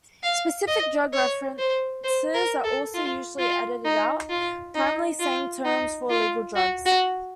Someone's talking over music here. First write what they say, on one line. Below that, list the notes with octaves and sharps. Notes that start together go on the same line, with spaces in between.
Specific drug references are also usually edited out, primarily slang terms for illegal drugs.
F5
D#5
C#5
C5
C5
A#4
A4
F4
F4
D#4
F4
D#4
F4
D#4
F4
F#4
F#4